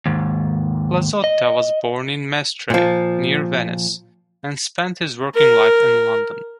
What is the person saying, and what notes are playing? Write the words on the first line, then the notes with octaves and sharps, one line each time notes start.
Plazzotta was born in Mestre, near Venice, and spent his working life in London.
D#2 G#2
D#5
A#2 F3
A#4